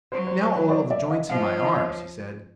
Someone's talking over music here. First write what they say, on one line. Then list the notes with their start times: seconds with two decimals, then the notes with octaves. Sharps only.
"Now oil the joints in my arms," he said.
0.12 F#3 C5
0.27 C5
0.42 C5
0.56 B4 C#5
0.70 C5 D5
0.90 D5 E5
1.10 D#5 F5
1.29 F3 D#5 F5
1.44 C#5 D#5
1.58 C#5 D#5
1.73 C#5 D#5